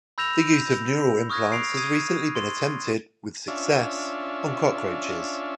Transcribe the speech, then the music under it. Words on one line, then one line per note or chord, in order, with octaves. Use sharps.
The use of neural implants has recently been attempted, with success, on cockroaches.
B5 E6 G6 A#6 E7 F7
G6
C#6 D#6 F6 F#6 G#6 A#6
C7 D7 F7
D#6 G#6 D#7
C6 A6
C#4 D4 F4 E5